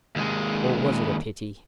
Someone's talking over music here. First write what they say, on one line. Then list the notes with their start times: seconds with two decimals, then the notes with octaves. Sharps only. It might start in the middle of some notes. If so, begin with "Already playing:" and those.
Or was it a pity?
0.16 D#2 G#3